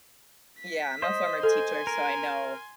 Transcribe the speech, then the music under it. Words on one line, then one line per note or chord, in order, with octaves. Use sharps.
Yeah, I'm a former teacher, so I know
B6
C5 D#5
A4 G#5 C6
A#4